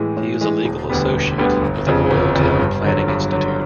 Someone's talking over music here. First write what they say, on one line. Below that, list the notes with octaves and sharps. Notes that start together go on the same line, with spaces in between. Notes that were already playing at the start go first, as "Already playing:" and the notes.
He is a legal associate of the Royal Town Planning Institute.
Already playing: A2 E3 G#3
A2
E3 G#3
E1
D2 D3 G3 B3
E1
D2 D3 G3 B3
G1
F2 C#3
G1
F2 C#3
G2
D3 F#3
G2
D3 F#3